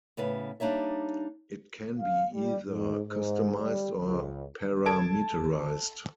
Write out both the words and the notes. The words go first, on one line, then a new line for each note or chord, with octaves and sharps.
It can be either customised or parameterised.
A2 C#3 B3 C#4 B4
G3 A#3 D4 D#4 C#5 E5
F5
G3
G#2
G#2
G3
C#2
A4 A5 G#6 D7